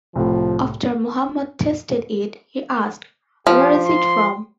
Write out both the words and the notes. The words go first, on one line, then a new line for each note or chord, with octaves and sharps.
After Muhammad tasted it, he asked, Where is it from?
C2 A2 F3
F3 G4
C6